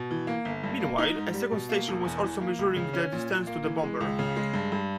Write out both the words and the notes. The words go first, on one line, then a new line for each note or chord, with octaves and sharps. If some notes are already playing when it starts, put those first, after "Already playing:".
Meanwhile, a second station was also measuring the distance to the bomber.
Already playing: B2
E3
A#3
G1
G2
A#3
D#4
G#2
G3
B2
A#3
E1
E2
E3
A#3
C#2
C#3
C#4
A#2
A#2
A#3
E3
G#3
C#2
C#3
G#3
G2
G2